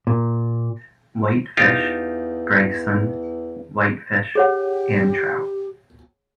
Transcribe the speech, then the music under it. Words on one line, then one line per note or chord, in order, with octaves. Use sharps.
Whitefish, Gregson, whitefish and trout.
A#2
E2 D#4 F4 G4
G4 G#4 C#5 F#5